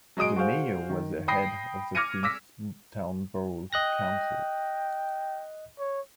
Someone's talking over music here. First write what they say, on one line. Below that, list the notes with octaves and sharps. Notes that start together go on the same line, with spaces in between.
The mayor was the head of the Queenstown Borough Council.
F#3 G#3 D#5 D#6 D7
F#4 G#4 C5 F5
D#3
G5 B5 D#6 A#6 C7
D6 F6 G#6 A#6 C#7 D#7
D6 E6 A#6 B6
D#5 G5 F#6 A#6
C#5